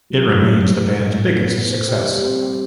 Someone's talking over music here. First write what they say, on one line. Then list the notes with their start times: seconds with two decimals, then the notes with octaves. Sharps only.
It remains the band's biggest success.
0.10 F#3
0.29 F#3
0.46 G4
0.64 A2
0.82 A2
0.99 A2
1.17 A2
1.35 B3
1.53 A2
1.71 C5
1.88 G4
2.07 G3
2.24 C4
2.42 G4